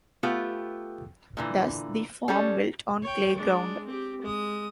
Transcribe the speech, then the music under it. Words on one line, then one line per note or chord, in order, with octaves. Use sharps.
Thus: "the farm built on clay ground".
A3 B3 F4 G4
A#2 D3 E3
G3 C#4 A4
C#5 G5
G#3 D4
C4 G4
G#3 D#6